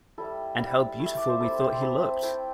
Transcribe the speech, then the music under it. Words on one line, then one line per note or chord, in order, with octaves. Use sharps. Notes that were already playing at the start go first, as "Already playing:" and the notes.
And how beautiful we thought he looked!
G3 E4 A4
G3 E4
A3 E4
E5
D5
C5
G3 C4 E4 A4
C5
A3 C4 E4 A5
A3 E4 G5